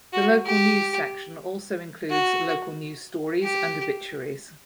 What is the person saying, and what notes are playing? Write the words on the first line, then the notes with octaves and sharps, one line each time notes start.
The local news section also includes local news stories and obituaries.
F#4
G4
F#4
G4